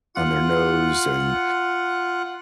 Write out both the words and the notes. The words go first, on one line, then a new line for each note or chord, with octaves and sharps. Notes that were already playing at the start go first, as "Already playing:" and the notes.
on their nose, and
F4 F#5